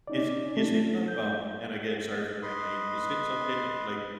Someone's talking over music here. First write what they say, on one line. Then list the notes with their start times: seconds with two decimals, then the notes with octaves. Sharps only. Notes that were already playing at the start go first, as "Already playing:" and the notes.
is is it like, um and again, sorry for being naive, is it something like like
0.07 C#4 D#4 D5
0.57 A3
1.08 G6
2.43 B4 D#5 C6